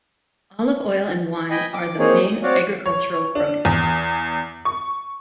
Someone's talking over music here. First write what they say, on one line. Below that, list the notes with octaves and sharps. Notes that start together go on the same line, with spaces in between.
Olive oil and wine are the main agricultural produce.
D#5 G5 G#5 B5
D6
A#3 C4 D#4 G#4 C#5
D#6
C4 F#4 C#5 D5 F5
C#5
D4
E2
C#6